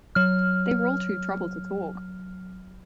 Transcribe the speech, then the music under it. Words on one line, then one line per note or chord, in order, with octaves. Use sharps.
They were all too troubled to talk.
F#3 F6